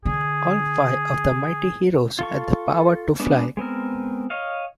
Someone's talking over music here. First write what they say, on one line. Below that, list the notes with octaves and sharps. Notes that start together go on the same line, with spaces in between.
All five of the Mighty Heroes had the power to fly.
D3 G#4
F4 A4 C#6
G#3 B3 D4
G#3 B3 C4 A#4
C#5 D#5 F5